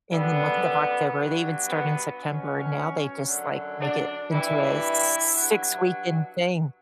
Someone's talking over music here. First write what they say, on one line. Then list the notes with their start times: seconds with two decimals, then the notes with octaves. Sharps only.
in the month of October- they even start in September. Now, they just, like, make it into a six-weekend thing.
0.11 F#2 D3 G3 B3
1.17 G2 F#3
1.68 B3
2.21 B2 F#3 C#4
3.26 F#2 D3 F#3
3.79 D4
4.31 G2 E3 G3 E4
5.37 G2 F#3